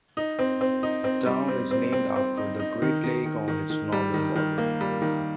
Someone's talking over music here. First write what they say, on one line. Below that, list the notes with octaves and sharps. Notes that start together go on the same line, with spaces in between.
The town is named after the Great Lake on its northern border.
D#4
C4
C4
D#4
C4
G3
C4
C4
C4
C4
D#4
D#4
D#3
D#3
D#3
D#3
D#3
G3
D#3
D#3
A#3
G3
D#3